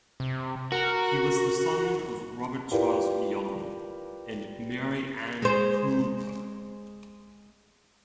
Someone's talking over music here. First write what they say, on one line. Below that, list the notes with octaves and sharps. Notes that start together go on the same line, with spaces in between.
He was the son of Robert Charles Young and Mary Ann Cooper.
C3
F#4 A#4
E4 F4 G4 A#4 B4 D5
G#3 C5